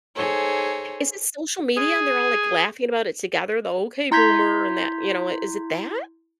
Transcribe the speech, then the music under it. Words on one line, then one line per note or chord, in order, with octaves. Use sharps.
Is it social media, and they're all, like, laughing about it together? The, "Okay boomer," and that you know, is it that?
D#4 G#4 A4 C5 C#5
G#4
E4 A#5 C6 G6 G#6 B6